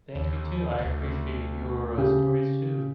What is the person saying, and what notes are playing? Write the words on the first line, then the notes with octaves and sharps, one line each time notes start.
Thank you too. I appreciate your, uh, stories too.
D#2
D2
C#3 G4